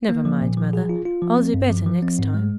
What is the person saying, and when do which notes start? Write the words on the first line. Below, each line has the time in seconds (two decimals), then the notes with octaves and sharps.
'Never mind, Mother; I'll do better next time.'
0.09 A#3
0.25 F3
0.41 A#2
0.57 F3
0.73 G#4
0.89 F4
1.05 F4
1.22 F3
1.38 C4
1.54 G2
1.70 F3
1.86 F3
2.02 C4
2.19 G#2
2.34 G#3